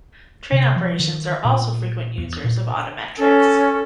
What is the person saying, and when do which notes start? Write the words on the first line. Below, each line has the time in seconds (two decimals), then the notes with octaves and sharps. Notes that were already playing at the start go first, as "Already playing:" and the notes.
Train operations are also frequent users of odometrics.
0.52 C3
0.76 F3
0.99 D#3
1.45 A#2
2.18 E2
2.44 A#2
3.18 C#4 A4